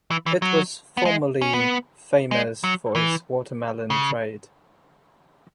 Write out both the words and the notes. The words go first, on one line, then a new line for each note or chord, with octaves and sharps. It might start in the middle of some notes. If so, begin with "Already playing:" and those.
It was formerly famous for its watermelon trade.
E3
E3
F#3
B3
G#3
C#4
B3
G#3
F#3
E3
C#3